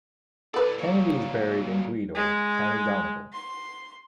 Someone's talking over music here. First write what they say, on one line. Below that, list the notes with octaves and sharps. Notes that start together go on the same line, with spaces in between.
Kennedy is buried in Gweedore, County Donegal.
A2 A4 B4 D5
A#2 F#3
G#3
C6